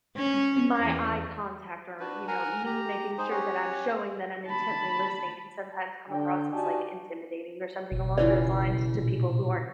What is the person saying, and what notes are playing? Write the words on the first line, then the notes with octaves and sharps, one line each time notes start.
m m my eye contact or, you know, me making sure that I'm showing that I'm intently listening can sometimes come across as, like, intimidating or something along those lines to people who aren't
C#4
E2
D4 F#4 B4
A#4 F#5 G#5 A#5
G4 A#5
D#4 G#4 C5
C#4 G4 C#5 F#5
A5 B5
D3 D4 G5
D#4 F#4 G4 D5 G#5 A5
F#1 B2
C#3 E3 F4 D5
A#2